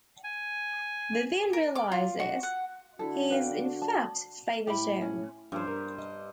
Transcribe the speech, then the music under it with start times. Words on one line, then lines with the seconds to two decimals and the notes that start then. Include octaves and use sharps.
Vivian realizes he is in fact Faber John.
0.24 G#5
1.53 A#4
1.75 D6
1.92 F4
2.20 F#4
2.43 F#5
2.99 D3 D4 E4 F#4 A4
3.30 B4 F5 G5
3.82 A5
4.67 A2 E4 G4 E5 B5
5.01 C#4
5.52 G2 F3 C#4 G4 C5
5.67 A#4
5.98 D#5